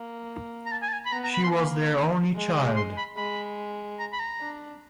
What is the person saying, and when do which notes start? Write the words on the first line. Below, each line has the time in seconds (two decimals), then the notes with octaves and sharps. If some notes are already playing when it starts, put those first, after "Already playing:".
She was their only child.
Already playing: A#3
0.66 A#5
0.71 A5
0.82 G#5
0.88 A5
0.93 G#5
1.05 B5
1.12 B3 A#5
1.23 A#5
1.34 B5
1.43 C6
1.53 A#3
2.35 G#3
2.76 C6
2.97 B5
3.17 G#3 B5
3.99 A#5
4.13 B5
4.19 A#5
4.40 D4